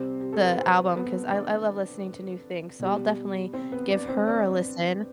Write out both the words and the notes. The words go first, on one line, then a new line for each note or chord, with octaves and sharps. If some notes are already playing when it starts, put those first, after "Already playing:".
the album 'cause I I love listening to new things, so I'll definitely give her a listen.
Already playing: C3 G3 C4 C5
G4
A4
B4
C4 C5
B3 B4
D4 D5
B2 G3
C4 C5
B3 B4
D4 D5
C4 C5
D4 D5